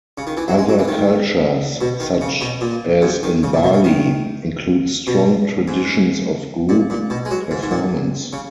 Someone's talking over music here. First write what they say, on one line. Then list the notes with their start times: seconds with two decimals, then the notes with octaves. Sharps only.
Other cultures, such as in Bali, include strong traditions of group performance.
0.18 C#3
0.27 D#3
0.37 E3
0.48 F#3
0.58 G#3
0.69 F#3
0.79 E3
0.88 D#3
1.81 B2
2.00 D#3
2.21 C#3
2.41 B2
2.61 A#2
3.02 F#2
3.23 D#3
3.43 C#3
3.53 A#2
3.63 B2
3.73 C#3
3.84 D#3
5.07 B2
5.68 G#2
6.69 A#2
6.90 A#2
7.10 B2
7.25 G#3
7.31 F#3
7.51 G#2
7.63 G#2
7.71 A#2
8.33 C#3